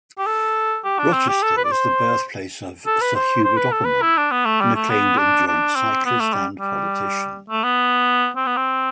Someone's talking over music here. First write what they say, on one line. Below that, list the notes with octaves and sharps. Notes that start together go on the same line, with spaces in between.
Rochester was the birthplace of Sir Hubert Opperman, an acclaimed endurance cyclist and politician.
G4
A4
G4
D4
C4
G4
A4
B4
D5
C5
A4
B4
C5
C5
B4
A4
B4
E4
D4
B3
A3
G3
A3
B3
D4
D4
C4
B3
A3
G3
G3
A3
B3
C4
B3
C4